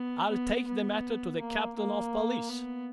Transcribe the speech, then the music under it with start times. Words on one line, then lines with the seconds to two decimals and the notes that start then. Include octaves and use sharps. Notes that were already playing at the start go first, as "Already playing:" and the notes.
I'll take the matter to the captain of police.
Already playing: B3
0.30 B3
0.67 B3
1.40 A#3
1.77 A#3
2.49 B3